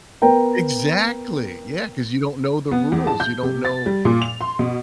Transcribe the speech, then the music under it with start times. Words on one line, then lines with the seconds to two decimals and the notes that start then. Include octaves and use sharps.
Exactly! Yeah, 'cause you don't know the rules. You don't know
0.22 B3 A#4 G5 A#5
2.71 B3
2.92 E2
3.07 A5
3.20 G6
3.43 C3
3.65 A6
3.86 G3
4.05 A#2
4.22 F7
4.41 C6
4.59 B2